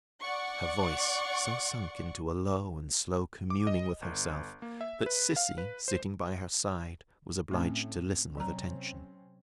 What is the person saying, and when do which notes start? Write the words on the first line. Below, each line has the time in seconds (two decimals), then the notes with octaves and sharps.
Her voice so sunk into a low and slow communing with herself, that Sissy, sitting by her side, was obliged to listen with attention.
0.20 D5 F#5 C#6
3.50 D6
3.67 D#5
4.02 G1
4.62 A#3
4.81 E5
5.06 B4
5.36 F5
5.58 B4
5.88 C5
7.51 A2 A3 C4 C#4
8.37 C3 F#3 C4 C#4 A#5